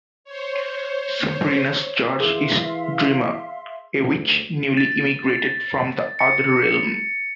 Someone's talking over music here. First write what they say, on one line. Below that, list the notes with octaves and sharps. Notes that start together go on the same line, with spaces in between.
Sabrina's charge is Dreama, a witch newly immigrated from the Other Realm.
C5 C#5
E3 G#4 A#4 E5 F5 C6
D2
A6
C#7